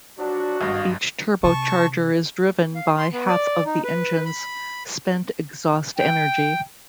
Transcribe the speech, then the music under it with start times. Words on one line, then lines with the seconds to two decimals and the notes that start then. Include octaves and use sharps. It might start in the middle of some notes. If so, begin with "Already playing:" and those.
Each turbocharger is driven by half of the engine's spent exhaust energy.
0.19 F3 F#3 D4 F#4
0.61 G#1 G2 D#5 F5
1.44 C3 A5 C#6
2.75 F5
2.98 C6
3.13 B3
3.28 D5
3.66 D#4
3.84 B4
4.25 B5
5.98 G5